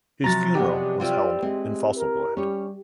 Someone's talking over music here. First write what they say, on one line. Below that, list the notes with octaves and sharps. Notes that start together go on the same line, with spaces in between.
His funeral was held in Faisalabad.
C3 F3 F#3 A#5 A6
G#3 B3 D4 G4
E3 G3 C4 F4
E3 G#3 C4
A#4
G3 C#4 C#5